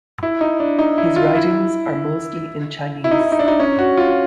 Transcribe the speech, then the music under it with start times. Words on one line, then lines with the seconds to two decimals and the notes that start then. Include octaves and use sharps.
His writings are mostly in Chinese.
0.23 E4
0.41 D#4
0.60 D4
0.79 D#4
0.98 E4
1.16 F4
1.35 E4
3.04 E4
3.11 D#4
3.20 E4
3.32 D#4
3.39 D4
3.48 D#4
3.60 C#4
3.79 F#4
3.97 F4